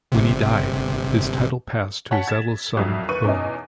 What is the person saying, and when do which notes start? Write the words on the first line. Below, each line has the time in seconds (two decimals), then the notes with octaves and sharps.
When he died, his title passed to his eldest son Willem.
0.12 G1 C3
2.11 C#5 F#5 G#5 A5 B6
2.28 G#6 A6 E7
2.77 C2 F2 F#3
3.09 D#2 B4 C#6 D#7
3.24 E2 B2 C#4 D#4